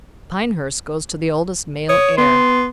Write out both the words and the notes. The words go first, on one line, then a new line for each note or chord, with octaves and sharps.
Pinehurst goes to the oldest male heir.
C#5 D#6
B3 C6